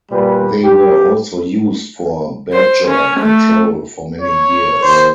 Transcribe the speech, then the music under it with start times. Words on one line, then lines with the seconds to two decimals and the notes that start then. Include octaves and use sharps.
They were also used for badger control for many years.
0.11 A#2 G3 B4
0.63 G4
2.53 C5
2.88 C#4
3.19 A3
4.21 C#5
4.82 D#2 C5